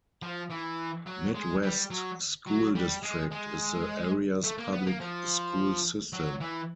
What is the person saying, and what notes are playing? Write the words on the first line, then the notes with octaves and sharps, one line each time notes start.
Midd-West School District is the area's public school system.
F3
E3
F#3
G#3
G3
F#3
F#3
G3
G#3
G#3
A3
A#3
B3
A#3
F3
F#3
E3